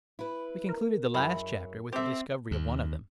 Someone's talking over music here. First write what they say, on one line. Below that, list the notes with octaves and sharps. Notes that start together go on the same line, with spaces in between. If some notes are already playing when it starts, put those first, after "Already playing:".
We concluded the last chapter with the discovery of one of them.
E4 B4
A#4
F#2 F#3 G#3 E4
C4 G4 A4 C5 E5
D#2